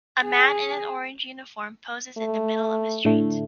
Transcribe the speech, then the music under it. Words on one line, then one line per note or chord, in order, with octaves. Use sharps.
A man in an orange uniform poses in the middle of a street.
G#4
A3
A2 D3 A3